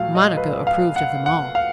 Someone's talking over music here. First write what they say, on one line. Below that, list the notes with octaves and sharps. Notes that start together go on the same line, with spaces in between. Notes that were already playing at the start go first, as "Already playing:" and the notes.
Monica approved of them all.
Already playing: A#2 F#3 A3 F5
D#5
B4
F5
F#5
F#5
F5